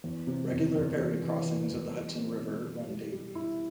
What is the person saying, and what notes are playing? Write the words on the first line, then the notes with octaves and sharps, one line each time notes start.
Regular ferry crossings of the Hudson River run daily.
E2
C3
E2
E2
E2
E3
E3
E2
G3
C4
B2
G3
G3
G3
E4